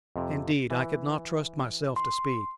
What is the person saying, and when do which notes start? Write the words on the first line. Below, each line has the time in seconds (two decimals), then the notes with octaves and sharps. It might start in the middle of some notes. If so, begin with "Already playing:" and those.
Indeed, I could not trust myself to speak.
0.16 F2 C3
0.71 E3
1.96 C6